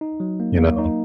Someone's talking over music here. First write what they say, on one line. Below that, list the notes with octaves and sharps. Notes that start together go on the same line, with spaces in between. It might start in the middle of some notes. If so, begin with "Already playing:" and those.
you know?
D#4
F#3
A#3
A#3
D#4